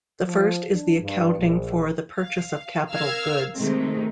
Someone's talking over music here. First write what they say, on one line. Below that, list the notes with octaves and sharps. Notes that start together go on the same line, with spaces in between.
The first is the accounting for the purchase of capital goods.
F3
D4
G2
A#1
F5
A#4 F5 E6 F6 G#6
C3 D#3 G#3 A3 C4